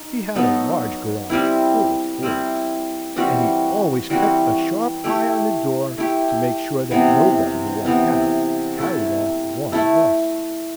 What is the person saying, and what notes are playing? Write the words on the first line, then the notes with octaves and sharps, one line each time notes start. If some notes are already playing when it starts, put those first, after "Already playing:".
He had a large garage full of fords, and he always kept a sharp eye on the door to make sure that nobody who walked out carried off one of us.
Already playing: D#4
F#3 B3 D#4 A4
G3 C4 E4
G3 C4 E4
E3 G3 C4 F#4
E3 G3 C4 F#4
A3 E4 G4
A3 E4 G4
C3 E3 B3
C3 E3 B3
A3 E4 A4
A3 E4 A4